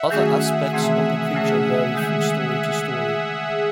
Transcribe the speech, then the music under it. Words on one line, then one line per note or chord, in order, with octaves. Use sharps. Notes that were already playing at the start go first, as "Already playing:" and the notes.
Other aspects of the creature vary from story to story.
Already playing: E5 F#5
D#3 F#3 A3 C#4 F#4 G#4
C3 E3 A3 C4
C#3 F#3 A3 C#4
D#3 G#3